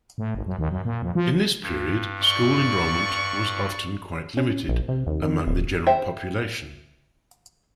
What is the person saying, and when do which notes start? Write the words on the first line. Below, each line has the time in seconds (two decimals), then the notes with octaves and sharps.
In this period school enrollment was often quite limited among the general population.
0.18 A2
0.35 G#1
0.46 F#2
0.59 D#2
0.71 F#2
0.85 A#2
1.03 F2
1.15 F3
1.62 G2
2.21 D5 C#6
4.37 C#4
4.69 A#1
4.88 C3
5.07 D#2
5.22 D#3
5.47 D1
5.87 C5 E5 G5